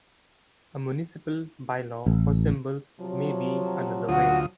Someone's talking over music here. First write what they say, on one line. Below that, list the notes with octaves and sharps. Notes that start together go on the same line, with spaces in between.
A municipal bylaw for symbols may be another way.
A1
C3 F3 F#3
D2 F4 F#4 D#6